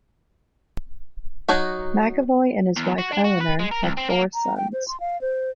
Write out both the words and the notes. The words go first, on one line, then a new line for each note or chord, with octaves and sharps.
McAvoy and his wife Eleanor have four sons.
F#3 D#4 F#4
E2
F#4
D4
F#4
B4
G#3
A#4
C2
C4
A#3
A#5
G5
C5
C6
F5
C5